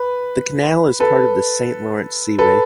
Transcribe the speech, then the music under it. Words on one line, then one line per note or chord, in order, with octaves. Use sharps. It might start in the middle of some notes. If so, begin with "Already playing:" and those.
The canal is part of the Saint Lawrence Seaway.
Already playing: B4
A4 B4
A4 B4